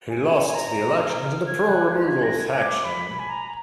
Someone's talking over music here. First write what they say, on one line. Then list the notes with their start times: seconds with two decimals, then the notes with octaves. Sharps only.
He lost the election to the pro removal faction.
0.09 G#5
0.35 F#5
0.46 G#5
0.55 A#5
1.00 F6
1.24 F6
1.47 G#6
1.69 F#6
1.87 G#6
1.92 F#6
2.08 G#6
2.23 A#6
2.38 G#6
2.61 D6
2.84 B5
3.19 G#5
3.29 A#5